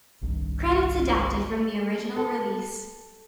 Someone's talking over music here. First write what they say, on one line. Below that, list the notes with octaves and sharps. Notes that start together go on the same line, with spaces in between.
Credits adapted from the original release.
G1 C2 G2 D#3
A4